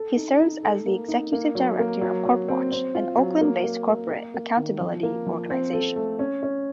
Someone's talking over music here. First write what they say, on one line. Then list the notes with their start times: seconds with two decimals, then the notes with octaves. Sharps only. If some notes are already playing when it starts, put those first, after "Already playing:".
He serves as the executive director of CorpWatch, an Oakland-based corporate accountability organisation.
Already playing: A4
0.16 D#4
0.39 D#4
0.63 A4
0.86 A#3
1.08 D#4
1.33 A#3
1.55 F#3
1.79 A#3
2.01 F#3
2.26 F#3
2.48 C4
2.72 C4
2.95 F4
3.18 F#3
3.41 A#3
3.64 A#3
3.87 A#3
4.10 A#3
4.34 A#3
4.56 D#3
4.81 F3
5.03 A#3
5.26 F3
5.50 C4
5.73 A4
5.96 A3
6.19 C#4
6.43 C#4